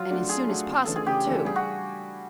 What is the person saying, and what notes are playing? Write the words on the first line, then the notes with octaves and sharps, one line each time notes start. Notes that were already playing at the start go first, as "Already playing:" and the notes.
"And as soon as possible, too."
Already playing: F#3 F4
A3 D4 F#4
F#3 G#4
A3 D4 F#4
C#3
E3 A3 D4 A4
G#4
C#3 G4
E3 A3 D4
G3 G#4
F#4